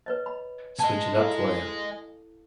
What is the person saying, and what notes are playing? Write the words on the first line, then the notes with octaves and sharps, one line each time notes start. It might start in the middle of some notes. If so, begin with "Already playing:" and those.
switch it up for ya.
B4 C#5 D#5
B5
D#5 G#5 A5
E4 A4 F5